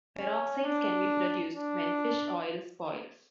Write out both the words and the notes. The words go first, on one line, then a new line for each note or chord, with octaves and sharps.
Peroxides can be produced when fish oil spoils.
C#4
D4
D4